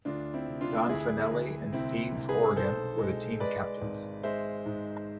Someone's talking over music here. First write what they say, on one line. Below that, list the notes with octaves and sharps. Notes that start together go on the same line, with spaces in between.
Don Fanelli and Steve Horrigan were the team captains.
D2 D4 F4
C4 E4
C3
D4 F4
D2 E4 G#4
D2
C2 C4 E4
C2
G#4 B4
B1 A4 C5
G#3
G#3 B4 D5
G#1
G#3 C5 E5
G#2